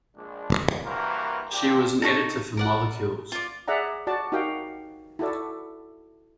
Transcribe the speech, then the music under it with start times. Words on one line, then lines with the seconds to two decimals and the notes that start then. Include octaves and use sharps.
She was an editor for "Molecules".
0.15 A#1 G#3 D4
0.85 G2 E3 A#3 F#4 A#4 C5
1.51 A#1 A#2 D4 G4
2.02 D#4 A4 C#6
2.57 A#4 D5 F#5
3.32 F4 D5
3.68 G#4 D5 E5 F#5 A#5
4.07 F#4 D5 A5
4.32 D#4 F#4 G4 A#4 F5 G5
5.19 E4 F#4 A4 D5